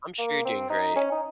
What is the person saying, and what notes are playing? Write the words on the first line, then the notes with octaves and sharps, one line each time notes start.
I'm sure you're doing great.
A#3
C4
D#4
C#4
D#4